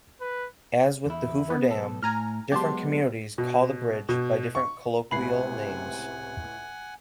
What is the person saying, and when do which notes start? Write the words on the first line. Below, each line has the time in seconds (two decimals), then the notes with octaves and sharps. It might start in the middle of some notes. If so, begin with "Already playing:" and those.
As with the Hoover Dam, different communities call the bridge by different colloquial names.
0.21 B4
1.06 E2 E4
1.50 B3
1.71 B1 A4
2.03 A2 G#5 A#5 F6
2.52 F#3 G#3 B3 G4 A5 C6
3.38 B2
4.09 B2
4.55 C#6
5.11 C#2 A2 C3 F#5 G#5 B5 C7